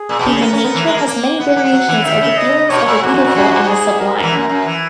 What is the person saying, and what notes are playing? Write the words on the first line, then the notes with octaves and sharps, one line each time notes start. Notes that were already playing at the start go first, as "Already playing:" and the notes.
Human nature has many variations of the feelings of the beautiful and the sublime.
Already playing: G#4
A#2
B2
C#3
C#4
B3 A#4
C#4
B3
E3
G#3
A#3
A#3
B3 F#5
C#4
A#3
G#3
F#3
E3
D#3 E5
C#3
D#5
B2 C#5
A#2
G#2 F#4
F#2
A#2
F#2
G#2
G#4
A#4
E3
F#2
F#2
E3